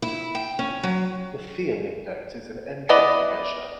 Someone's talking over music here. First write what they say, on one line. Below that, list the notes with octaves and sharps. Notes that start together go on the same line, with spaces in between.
The Theil index is an entropy measure.
E4
G5
C#4
F#3
B3 E4 D5 D#5